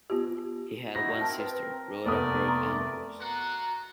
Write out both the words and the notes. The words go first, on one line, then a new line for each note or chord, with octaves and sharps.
He had one sister, Rhoda Burke Andrews.
B3 F4 G4
D#4 E4 F#4 A#6
C4 A#4 A5
B4
F1 A3 B3 A#4 D5 D#6
A#5 C6
F4 F#4 F#5 A#5